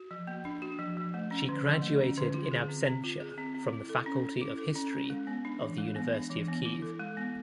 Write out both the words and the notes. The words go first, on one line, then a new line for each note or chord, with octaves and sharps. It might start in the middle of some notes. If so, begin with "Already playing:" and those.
She graduated in absentia from the Faculty of History of the University of Kyiv.
Already playing: F#4
F3
A#3
D4
F#4
F3
F3
A3
C#4
D3
F3
A3
C#4
D3
F4
G#4
C4
C4
F4
G#4
C4
C4
E4
A4
C#4
C#4
E4
A4
C#4
C#4
G#3
B3
D4
E3
G#3
B3
D4
E3
B3
E4
A4
G#3
B3